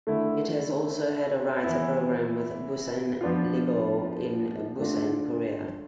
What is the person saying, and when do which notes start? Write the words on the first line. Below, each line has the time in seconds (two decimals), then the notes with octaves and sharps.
It has also had a writer program with Busan Ilbo in Busan, Korea.
0.07 D3 A3 E4
1.64 E3 B3 E4
3.21 F3 B3 D4 F4
4.78 D3 A3 D4 F4